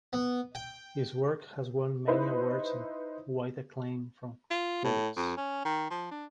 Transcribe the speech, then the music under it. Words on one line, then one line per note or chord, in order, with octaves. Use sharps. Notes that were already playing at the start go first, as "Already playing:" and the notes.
His work has won many awards and wide acclaim from critics.
B3
G5
D#4 E4 B4 C5
F4
A2
F2
C#4
D#3
F3
D4